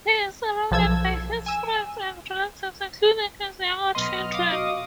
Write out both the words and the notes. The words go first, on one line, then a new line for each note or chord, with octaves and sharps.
He is surrounded by his friends and relatives, including his younger children.
B1 F3 A4 E6 G#6
G#5 E6
B1 B3 D#5 C6 F6
F5 D6 D#6
F#4 D#5